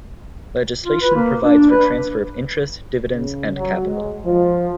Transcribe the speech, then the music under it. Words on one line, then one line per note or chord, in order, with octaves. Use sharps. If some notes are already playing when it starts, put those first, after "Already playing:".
Legislation provides for transfer of interest, dividends, and capital.
F4
B4
A#3
D4
B4
C#3
F#3
G#3
F3